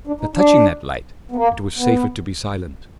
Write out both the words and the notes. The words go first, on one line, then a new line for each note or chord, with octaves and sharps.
But touching that light, it was safer to be silent.
D4
D#4
D4
B3
A#3
B3